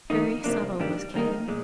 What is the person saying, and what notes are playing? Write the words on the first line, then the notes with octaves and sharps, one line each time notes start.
Very subtle was Kay.
F2 D#3 A#3 D#4
C3 F3 A#3 D4
G2 D#3 G3 D4
F2 D#3 A#3 D#4
A#2 G#3